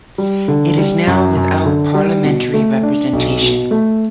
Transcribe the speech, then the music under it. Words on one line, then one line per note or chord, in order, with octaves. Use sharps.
It is now without parliamentary representation.
G3
D3
G3
F#2
F#2
D3
G3
B2
A3
D4
B1
B2
A3